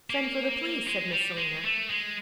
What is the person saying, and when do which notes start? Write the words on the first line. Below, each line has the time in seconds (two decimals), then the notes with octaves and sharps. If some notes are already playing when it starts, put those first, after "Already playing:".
'Send for the police,' said Miss Selina.
0.10 A#3
0.87 G#3
1.13 G3
1.38 G#3
1.65 A3
1.90 G#3